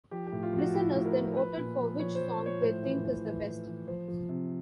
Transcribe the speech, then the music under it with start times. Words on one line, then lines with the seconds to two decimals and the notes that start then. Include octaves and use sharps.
Listeners then voted for which song they think is the best.
0.11 F3 G4
0.27 G4
0.32 A2
0.43 F4
0.53 F3
0.58 F#4
0.74 A2 E4
0.95 A2
1.05 A#4
1.15 F3
1.36 F3 B4
1.57 A#2
1.78 F3
1.99 F3 C#5
2.15 C5
2.20 F3
2.41 F3 C#5
2.62 A2 C5
2.83 E3
3.04 E3
3.25 E3
3.45 E3
3.67 E3
3.87 F3 C5
4.08 F3
4.29 C3